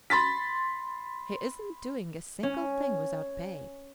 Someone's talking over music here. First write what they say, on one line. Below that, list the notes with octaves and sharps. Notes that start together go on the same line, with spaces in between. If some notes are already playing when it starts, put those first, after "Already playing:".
"He isn't doing a single thing without pay."
B5 C6 A6 B6
C#4